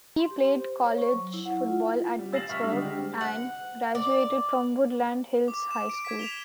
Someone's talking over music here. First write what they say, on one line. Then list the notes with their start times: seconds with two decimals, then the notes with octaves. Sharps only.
He played college football at Pittsburgh and graduated from Woodland Hills High School.
0.18 C6
0.31 G4
0.57 C5
0.83 C#5
0.98 C#6
1.13 F#3
1.34 E4
1.45 F#5
1.68 F4
2.19 G3
2.33 E6 A6 A#6 C7 E7 F#7
2.49 E5 C#6 F6 B6
2.62 D3 D#3 G3 G#3 D4 D#4
2.81 G4 G#4
3.21 F#5
3.95 D5
5.48 D6
5.71 E7
5.89 D7
6.05 G#6 B6
6.19 E7 F7 G7